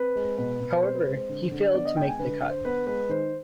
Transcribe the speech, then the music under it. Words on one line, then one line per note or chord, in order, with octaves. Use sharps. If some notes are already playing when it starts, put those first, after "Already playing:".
However, he failed to make the cut.
Already playing: C4 B4
G#3
B2 B4
B2
C4 C5
B4
G#3 C5
C5
D3
D3
B3 D5
D#5
G#3 G5
G#5
D3 B4
D3
C5
B3 B4
G#3 B4
D#3 C5